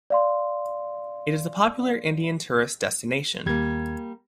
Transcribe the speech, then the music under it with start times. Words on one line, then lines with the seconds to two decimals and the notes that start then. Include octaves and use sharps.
It is a popular Indian tourist destination.
0.10 D5 F5 C6
3.46 D#2 G3 A#3 G#6